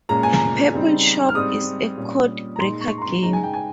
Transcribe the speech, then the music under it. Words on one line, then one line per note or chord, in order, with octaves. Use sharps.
Purble Shop is a code-breaker game.
A#2 G#3 C#4 A#5
G#5
A#5
C#3 G3 C4 D#4
F6
G#2 G3 C4 D#4 D#6
A#2 G3 C#4
A#5
A#2 G#3 D#4 C6
C#6
A#5
C6
C#3 G#3 D#4 A#5
G#5
G5
G#5